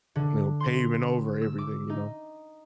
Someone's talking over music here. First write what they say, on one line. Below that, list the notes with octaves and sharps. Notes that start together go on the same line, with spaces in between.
you know, paving over everything, you know?
D3
C6
E6
D6
D#4